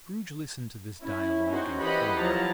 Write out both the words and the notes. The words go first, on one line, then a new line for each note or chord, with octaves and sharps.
Scrooge listened to this dialogue in horror.
C#4 E4
C4 C#4 D#4 F#4 C5
E3 G4 C5 D#5 F#5 B5
F3 F#3 E4 A5 A#5